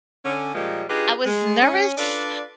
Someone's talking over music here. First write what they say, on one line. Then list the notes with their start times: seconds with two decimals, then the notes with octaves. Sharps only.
I was nervous
0.24 D3 C#4
0.55 A#2 D#3 F3 G3 G#3 A#3
0.89 D4 D#4 F4 G4 G#4 B4
1.25 G#3
1.61 C#4
1.98 D4 F4 A4 B4 D5